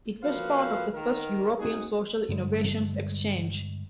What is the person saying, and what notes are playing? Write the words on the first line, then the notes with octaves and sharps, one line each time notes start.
It was part of the first European Social Innovations Exchange.
F3 A#3 F#4 B4 F5
D#3 A#4
C4 D#4 F#4 G#4
G2 D3 G3 G#3